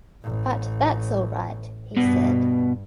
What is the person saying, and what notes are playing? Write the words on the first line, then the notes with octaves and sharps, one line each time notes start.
"But that's all right," he said.
A1
G2 B2